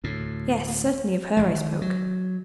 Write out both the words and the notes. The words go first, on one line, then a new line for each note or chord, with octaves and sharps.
"Yes, certainly, of her I spoke."
D2 A2
A1 G#3
D#3
F#3